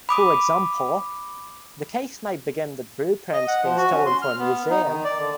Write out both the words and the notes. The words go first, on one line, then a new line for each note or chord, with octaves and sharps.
For example, the case might begin with blueprints being stolen for a museum.
B5 D6 D#6
D#5
F#5
F3
F#4
C#4
C6
F6
B3
D#4
D#3
D5
D3